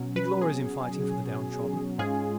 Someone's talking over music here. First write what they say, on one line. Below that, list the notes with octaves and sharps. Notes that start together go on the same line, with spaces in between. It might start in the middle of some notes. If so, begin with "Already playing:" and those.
He glories in fighting for the downtrodden.
Already playing: B2 F#3 C#4
B4
G#4
G#2 G#3 C#4 F4 G#4